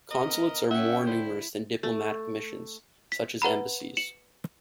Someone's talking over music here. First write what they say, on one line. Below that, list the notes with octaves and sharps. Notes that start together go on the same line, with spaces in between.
Consulates are more numerous than diplomatic missions, such as embassies.
B3 A#4 D#5
C#4 C#5 E5 F#5 G5
D3 E4 C5
A3
B6
B4 F#5 A#5 B5
C#7 E7 F#7